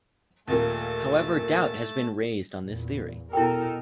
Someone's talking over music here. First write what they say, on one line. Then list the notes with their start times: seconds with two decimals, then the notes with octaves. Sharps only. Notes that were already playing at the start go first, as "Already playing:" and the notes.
However doubt has been raised on this theory.
0.48 D#2 A#2 A3 A#3 A5
2.61 E2 A#2
3.33 B2 D#4 E4 A4 A#4 G5